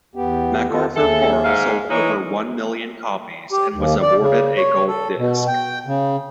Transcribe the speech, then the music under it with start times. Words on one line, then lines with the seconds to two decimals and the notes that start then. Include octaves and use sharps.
"MacArthur Park" sold over one million copies, and was awarded a gold disc.
0.16 E2 B3 G4
0.69 D#3 F4 A4
0.96 D#2 G#4 A4 E5
1.45 G#2 F5
1.90 E3 G#3 D#4 E4 C#5 A#5
3.52 G4
3.76 D#2
4.02 D5
4.19 C#3
4.57 C#5
4.88 A4
5.18 B2
5.48 G5
5.87 C#3